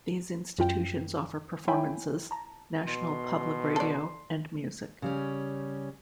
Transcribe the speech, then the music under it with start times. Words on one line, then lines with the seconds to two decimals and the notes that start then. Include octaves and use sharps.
These institutions offer performances, National Public Radio, and music.
0.58 F#2 F4 G5
1.68 E4 C#5 E5 G5 G#5 B5
2.31 A5 A#5
2.87 B2 C6
3.76 A4 D5
5.02 C#3 G3 C#4